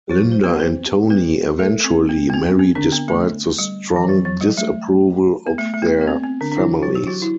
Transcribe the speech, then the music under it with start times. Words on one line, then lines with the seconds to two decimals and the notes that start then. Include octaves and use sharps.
Linda and Tony eventually marry despite the strong disapproval of their families.
0.09 F#3 F#4
0.32 C5
0.43 B3 B4
0.60 C4 C5
1.10 B3 B4
1.59 A3 A4
1.84 C4
2.09 B3
2.30 B3
2.33 C4
2.59 C4
2.75 D3 D4
2.92 B3
3.08 A3
3.58 G3
3.96 E3
4.09 F#3
4.25 F#3
4.41 G3
4.57 A3
5.47 B3
5.58 A3
5.74 A3
5.82 B3
6.01 B3
6.07 C4
6.23 C4
6.41 D3 D4
6.52 D4
6.57 E3 E4
6.82 F#3 F#4
6.95 G4
7.07 F#3 F#4
7.22 E4